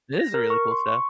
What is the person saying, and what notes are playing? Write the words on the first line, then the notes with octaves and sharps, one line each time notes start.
This is really cool stuff.
A#6
A#4
C#6
C6
C#6